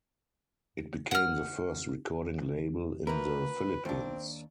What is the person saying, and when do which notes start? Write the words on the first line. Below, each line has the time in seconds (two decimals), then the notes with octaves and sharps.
It became the first recording label in the Philippines.
1.11 F#5 F6
3.07 D2 A#4 B4
3.85 D#2 C4 D4